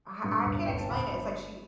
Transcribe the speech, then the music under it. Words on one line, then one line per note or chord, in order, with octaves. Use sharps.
I I can't explain it. It's like she
G2 C#6
G1
G1 G5
A5
G1 B5